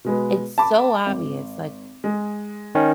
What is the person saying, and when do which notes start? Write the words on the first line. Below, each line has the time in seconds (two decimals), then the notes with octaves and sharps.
it's so obvious, like,
0.04 B2 G#3 B3
0.58 A5 B5 D6
1.06 G#1
2.04 G#3
2.75 D#3 C#4